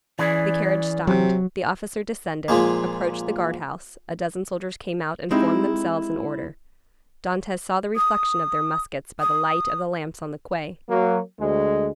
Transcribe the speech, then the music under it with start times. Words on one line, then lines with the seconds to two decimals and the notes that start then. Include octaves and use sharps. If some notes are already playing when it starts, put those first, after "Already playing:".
The carriage stopped, the officer descended, approached the guardhouse, a dozen soldiers came out and formed themselves in order; Dantes saw the reflection of their muskets by the light of the lamps on the quay.
0.19 E3 C#4 G#4 D5
1.07 C3 F#3
2.48 A#2 F3 G#3 A#3
5.31 G#3 C4 D#4 E4 G4
7.96 D#6
9.20 D#6
10.89 F#3 A#3
11.38 D2 G#3